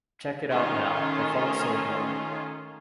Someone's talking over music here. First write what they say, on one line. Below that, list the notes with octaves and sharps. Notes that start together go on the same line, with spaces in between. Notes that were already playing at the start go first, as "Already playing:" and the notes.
Check it out now, the funk soul brother.
D#3 A3 C#4 F4